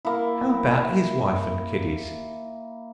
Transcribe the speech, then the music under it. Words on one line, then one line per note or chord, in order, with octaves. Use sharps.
How about his wife and kiddies?
A#3 E4